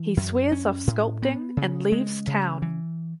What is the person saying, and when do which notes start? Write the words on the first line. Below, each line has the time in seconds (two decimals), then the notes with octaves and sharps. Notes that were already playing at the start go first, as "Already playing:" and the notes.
He swears off sculpting and leaves town.
Already playing: E3
0.17 F#2
0.52 C#4
0.87 A2
1.22 B3
1.57 C#3
1.92 G#3
2.27 C#3
2.62 E3